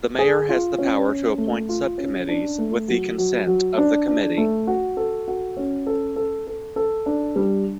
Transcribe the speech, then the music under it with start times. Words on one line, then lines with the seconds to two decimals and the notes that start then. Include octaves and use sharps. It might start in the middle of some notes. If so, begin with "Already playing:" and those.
The mayor has the power to appoint subcommittees with the consent of the committee.
0.19 G#4
0.49 F4
0.78 C#4
1.09 C#4
1.38 A3
1.69 F4
1.98 C#4
2.28 D4
2.58 A3
2.88 F#3
3.18 F#3
3.47 F#3
3.78 D4
4.07 D4
4.37 A3
4.67 F#4
4.97 A4
5.28 F#4
5.57 C#4
5.87 A4
6.16 A4
6.47 A4
6.76 A4
7.06 D4
7.36 G3